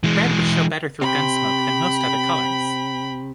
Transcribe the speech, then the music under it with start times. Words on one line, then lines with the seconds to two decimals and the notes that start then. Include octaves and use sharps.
Red would show better through gunsmoke than most other colors.
0.04 E3 G#3
1.01 C3 G5 B5